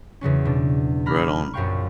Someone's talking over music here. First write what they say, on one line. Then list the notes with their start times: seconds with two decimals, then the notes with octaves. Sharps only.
Right on.
0.21 E2 C#3 F#3 C#4
0.45 B2 D4
1.06 A#5 B5 F6
1.53 A#1 F#2 C4 F5 G5 C#6